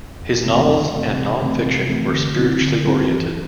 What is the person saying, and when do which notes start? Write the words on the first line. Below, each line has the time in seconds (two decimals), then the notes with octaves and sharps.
His novels and non-fiction were spiritually oriented.
0.21 E2
0.45 C3 E3 A3 C4
0.69 E2
0.93 C3 E3 A3 C4
1.17 C3
1.42 E3 A3 C4
1.65 C3
1.89 E3 A3 C4
2.13 D3
2.37 F#3 C4 E4
2.61 D3
2.85 F#3 C4 E4
3.08 E3